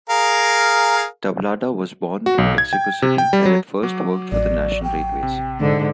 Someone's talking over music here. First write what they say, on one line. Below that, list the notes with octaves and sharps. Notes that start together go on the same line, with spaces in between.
Tablada was born in Mexico City and at first worked for the national railways.
G#4 A#4 F5
F#4
B1
G#6
G5
C3
G5
G3
F#3
F#3 D6
A1 D5
G5
C3
G#2 D3